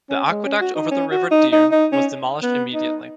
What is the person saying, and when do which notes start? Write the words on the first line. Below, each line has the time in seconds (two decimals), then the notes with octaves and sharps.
The aqueduct over the River Dearne was demolished immediately.
0.10 C#4
0.30 G#3
0.45 C#4
0.61 F#4
0.75 D#4
0.91 C#4
1.11 F#4
1.31 D#4
1.52 D#4
1.72 D#4
1.92 C#4
2.43 B3
2.74 D#4